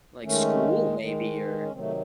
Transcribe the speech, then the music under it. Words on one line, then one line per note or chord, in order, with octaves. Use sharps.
Like, school maybe or
D#3 G#3 A3 C#4
D#3 G#3
C#4
C3 D#3 F#3 A3 C4